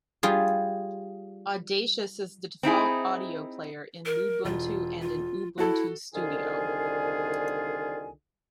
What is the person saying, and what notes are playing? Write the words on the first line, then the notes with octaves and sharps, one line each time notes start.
Audacious is the default audio player in Lubuntu and in Ubuntu Studio.
G3 F4 G#4
C4 D#4 E4 G#4
A#4
E1 F4
F4
E4 F#4 A4
C2 D3 D#3 F4 G#4 G#5